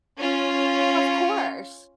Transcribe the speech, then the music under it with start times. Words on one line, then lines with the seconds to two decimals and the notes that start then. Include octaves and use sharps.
Of course.
0.18 C#4 F4